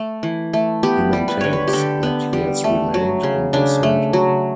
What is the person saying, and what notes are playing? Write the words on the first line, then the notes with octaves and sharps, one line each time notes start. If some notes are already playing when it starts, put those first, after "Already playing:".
He maintains that he has remained in the centre.
Already playing: A3
E3
A3
B3 G4
G3
B4
D3 C#5
B4
G4
D3 A4
B3
G3
A3
F#3
C#3
C#3 D4
A3
F#3